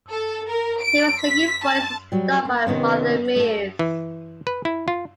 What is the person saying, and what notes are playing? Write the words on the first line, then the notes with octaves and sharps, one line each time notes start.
Hayworth's singing voice was dubbed by Martha Mears.
A4
A#4
D7
B6
A5
F#3 G3
A#3
C3 D#3 B3 C#4
A3 A4
E3
B4
E4
F4